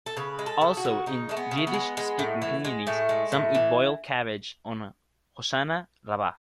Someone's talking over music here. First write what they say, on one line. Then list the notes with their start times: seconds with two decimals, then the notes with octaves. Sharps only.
Also in Yiddish-speaking communities, some eat boiled cabbage on Hoshanah Rabbah.
0.06 A4
0.17 C#3 B4
0.39 G#3
0.46 A4
0.61 C#3
0.77 F#4
0.85 C#3
1.06 C#3 D#4
1.29 G#3 A3
1.37 B3
1.51 C#3
1.57 A3
1.67 B3
1.74 G#3
1.97 G#3
2.19 A2
2.42 E3
2.65 G#3
2.87 A2 A3
3.09 G#3
3.32 A2
3.54 E3